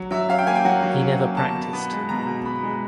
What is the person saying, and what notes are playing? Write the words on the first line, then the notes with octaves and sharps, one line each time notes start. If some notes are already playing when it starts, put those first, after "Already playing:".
He never practiced.
Already playing: F#3
F#3 E5
C#4 F5
G5
A#3 G#5
G5
F#3 F#5
F#3
C#4
A#3
B2 A5
B2
B3
G#3
B2 A#5
B2
B3 B5
G#3